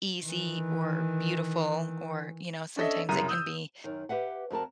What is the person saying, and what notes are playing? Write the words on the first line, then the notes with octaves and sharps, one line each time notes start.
easy or beautiful or you know, sometimes it can be
D#3 E3
C#4 D4 A4 D#5 E5
C2 F#2 C#3 A#4 A#5 D#7
D#6 E6 G6
F#2 D#3
G4 B4 E5 F#5
F2 F#4 A#4 A5